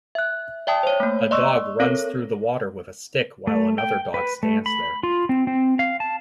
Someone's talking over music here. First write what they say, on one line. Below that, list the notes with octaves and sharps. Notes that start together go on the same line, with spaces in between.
A dog runs through the water with a stick while another dog stands there.
E5 F#6
D5 E5 G5 A5 D#6
C5 C#5
A3 A#3
D5 D#5 C6 C#6 E6
C4 A4 A#4 C#5
A3
G5
B4
A3
B5
F4
C4
C4
F5
A5